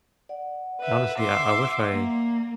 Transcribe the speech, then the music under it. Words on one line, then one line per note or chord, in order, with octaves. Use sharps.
Honestly, I I wish I
D5 F#5
B4 E5
E5 C6 D6
A#3